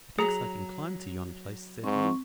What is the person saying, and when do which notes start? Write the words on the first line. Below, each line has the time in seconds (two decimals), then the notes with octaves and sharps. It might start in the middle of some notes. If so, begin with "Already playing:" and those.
"Methinks I can climb to yon place," said he.
0.19 F#3 G#4 A#5
1.84 G#2 C4 C#6